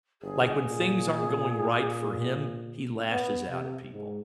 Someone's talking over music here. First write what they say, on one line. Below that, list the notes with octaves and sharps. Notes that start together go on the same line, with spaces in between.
like, when things aren't going right for him, he lashes out at people,
G1 G#4
A#2
B3
C3
G#2